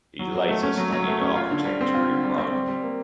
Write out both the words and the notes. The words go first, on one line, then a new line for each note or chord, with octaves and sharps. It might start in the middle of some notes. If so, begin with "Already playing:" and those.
He later studied architecture in Rome.
F#3
F#3
A3
C#4
F#3
F#3
A3
C#4
F4
D3
G3
C4
F4
D3
G3
C4
G3
G3
A#3